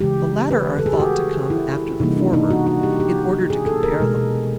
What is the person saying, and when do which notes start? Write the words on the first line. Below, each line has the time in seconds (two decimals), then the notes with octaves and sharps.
The latter are thought to come after the former in order to compare them.
0.01 C#3 E3 G#3 G4
0.51 B4
0.79 A4
0.86 G#4
0.93 G4
1.00 F#4
1.50 E4
2.00 C3 E3 G3 A#3 D#4
2.17 D4
2.33 D#4
2.50 F#4
2.67 F#4
2.83 G4
3.00 G4
3.50 G#4
3.66 A4
3.83 A#4
4.00 B2 G#3